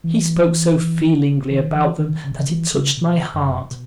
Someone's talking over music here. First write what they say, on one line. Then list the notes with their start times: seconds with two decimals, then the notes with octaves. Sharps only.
He spoke so feelingly about them that it touched my heart.
0.04 E3
1.51 D#3
1.75 E3
1.99 D#3
2.24 C#3
2.32 B2
2.40 C#3
2.49 E3
2.74 C#3
2.97 B2
3.34 F#2
3.71 B2